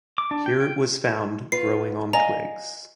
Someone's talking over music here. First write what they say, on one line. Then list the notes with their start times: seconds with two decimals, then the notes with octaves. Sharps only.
Here it was found growing on twigs.
0.18 D6
0.31 D4
0.46 G5
0.60 G5
1.52 F4 B4 C7
2.13 D#5 F5 G#5 A#5